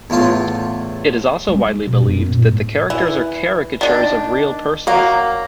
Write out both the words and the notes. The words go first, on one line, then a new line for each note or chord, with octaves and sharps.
It is also widely believed that the characters are caricatures of real persons.
E2 A2 F4
G#3
B2 D#3
F#2 B3
A#2
G#2
E3
D#3 D4
F#3 A#3